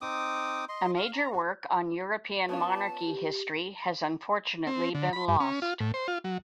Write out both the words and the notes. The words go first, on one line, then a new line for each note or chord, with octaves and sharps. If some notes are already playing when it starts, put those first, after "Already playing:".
A major work on European monarchy history has unfortunately been lost.
C4 D#4 D6 D#6
D#5 C6
F5
A#5
F#4
B3 C#4 F4 A5
G4
C4
D3
B5
G2
C#4
F4
A2
C5
F4
F#3